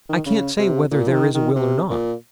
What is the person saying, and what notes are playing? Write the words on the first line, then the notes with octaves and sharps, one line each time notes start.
I can't say whether there is a will or not.
D#3
C#3
C3
A#2
F3
D#3
D#3
C3
A#2